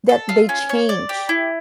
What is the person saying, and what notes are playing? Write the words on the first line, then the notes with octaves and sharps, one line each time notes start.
that they change
A4
F4
C#4
C#5
D5
G4
E4